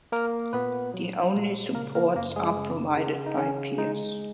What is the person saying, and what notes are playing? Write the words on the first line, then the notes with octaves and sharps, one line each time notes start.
The only supports are provided by piers.
A#3 A#4
A#2 B3 B4
F#3
A#2
C#3 A#3 A#4
A#3 A#4
F#2 A#3 A#4
G#3 G#4
C#3
C#3
D#4
C#3 C#4
G#3 D#4